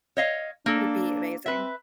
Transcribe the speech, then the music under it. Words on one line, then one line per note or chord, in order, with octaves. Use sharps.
would be amazing.
C#5 D#5 F5
A#3 D4 A4
C4 B4 E5